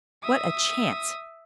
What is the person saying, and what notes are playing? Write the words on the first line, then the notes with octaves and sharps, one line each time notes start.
What a chance!
E5 D#6